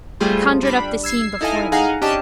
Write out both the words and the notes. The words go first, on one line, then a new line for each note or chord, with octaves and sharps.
He conjured up the scene before them.
G3 A3 F4 G#4 C5
G3 D4 B5
E6 G#6 C7
D#4 E4 A4 D#5 F5 G#5
D#4 G#4 F5 F#5 G#5 A#5
C#4 D4 G4 D#5 A5